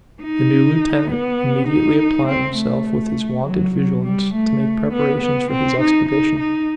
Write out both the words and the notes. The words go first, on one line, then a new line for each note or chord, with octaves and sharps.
The new lieutenant immediately applied himself with his wonted vigilance to make preparations for his expedition.
D#4
B3
D#4
C4
A3
F#3
F#3
G3
A3
B3
B3
C4
D#4
D#4
D#4